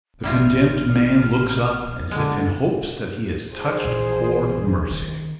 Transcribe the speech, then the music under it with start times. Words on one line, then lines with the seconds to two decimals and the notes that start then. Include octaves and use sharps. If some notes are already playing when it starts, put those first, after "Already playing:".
The condemned man looks up, as if in hopes that he has touched a chord of mercy.
0.24 A1 G3 E4 F4 F6
2.11 D3 G#3
3.54 G#4 C5
3.84 A#1 E3
4.90 D#3